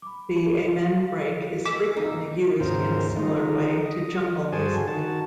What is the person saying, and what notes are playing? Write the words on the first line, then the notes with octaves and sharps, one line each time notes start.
The amen break is frequently used in a similar way to jungle music.
B5 D6
F5
A3 A#4 D#5 G#5 D6 B6 E7
D#4 E6
D#2 G#2 C#3 A#4 C5
D#3 F3 D#4
D#5
G2 F#4 G#4 C5 G#5 A5
D#3 F#4 A5